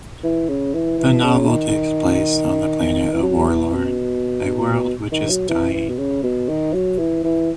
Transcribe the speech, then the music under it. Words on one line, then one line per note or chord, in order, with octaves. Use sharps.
The novel takes place on the planet of Worlorn, a world which is dying.
E3
C#3
E3
E3
C#3
D#3
E3
F#3
E3
B2
B2
D#3
F#3
E3
E3
B2
C#3
B2
D#3
F#3
E3
E3